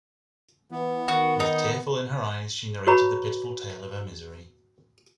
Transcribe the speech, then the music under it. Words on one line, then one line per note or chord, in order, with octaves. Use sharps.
With tearful in her eyes she narrated the pitiful tale of her misery.
E3 B3
D#3 F#4
D#4
F#4 B4 C#5 A#5 B5 C#6